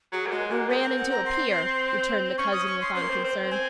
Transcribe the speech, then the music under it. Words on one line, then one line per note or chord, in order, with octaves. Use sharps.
"Ran into a pier," returned the cousin, with unconcern.
F#3 G#4
A#3
G#3 F#4
A#3 F#4
C4 G#4
A#4
F#5
A#5
C6
C#4 C#6
D#6
C#6
C6
C4 C6
A#3
C4
C4
C4 G#5